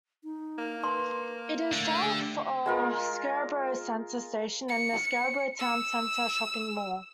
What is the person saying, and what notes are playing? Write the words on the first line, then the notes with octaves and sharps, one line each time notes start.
It is south of Scarborough Centre station and the Scarborough Town Centre shopping mall.
D#4
A#3
B4 C6
D3 A3
G4
G#3 F4 A#4
C#7
E6